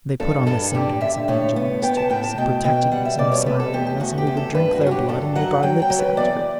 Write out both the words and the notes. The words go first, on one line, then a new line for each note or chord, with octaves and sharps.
They put on the semblance of being generous to us, of protecting us, and of smiling on us, and we would drink their blood and lick our lips after it!
G2 A4
G2 A4
D3 G4
G2 E5
A2 C#5
B3
B3 G5
A5
A2 G5
A5
B2 G5
B2 G5
G3 F#5
E5
B2 D5
C#5
A3 B4
A4
E2 G4
G4
E2 F#4
G4
E2
A4
G2 B4
F#4
F#3
F#4
G4
G2 A4
F#3 F#5
F#3 G5
G5
F#3
B4
E2 D5